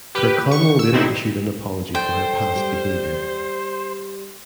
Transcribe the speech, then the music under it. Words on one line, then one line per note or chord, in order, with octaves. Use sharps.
Kirkconnell later issued an apology for her past behavior.
G4 B4
C#6
E6
A#2 C4 D#4 E4
A4 C5 D5 G5
G3